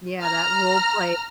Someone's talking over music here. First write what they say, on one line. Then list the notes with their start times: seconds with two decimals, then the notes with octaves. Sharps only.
yeah, that roleplay.
0.23 A#5 F6